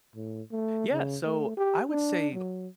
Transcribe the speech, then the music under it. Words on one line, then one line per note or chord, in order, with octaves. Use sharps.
Yeah, so, I would say,
A2
A3
C#3
A3
G4
D4
F#3